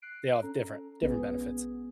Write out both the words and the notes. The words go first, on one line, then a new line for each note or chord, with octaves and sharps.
they all have different different benefits.
F#6 C7 D7
C#4 A4 A#5
A#1 B3 C#4 G#4 B4